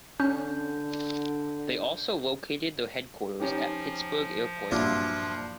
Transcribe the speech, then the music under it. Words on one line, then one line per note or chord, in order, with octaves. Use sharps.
They also located their headquarters at Pittsburgh Airport.
D3 C#4 G6
F3 C#4 D#4 G4
G2 A#2 F#3 D4 E4 F4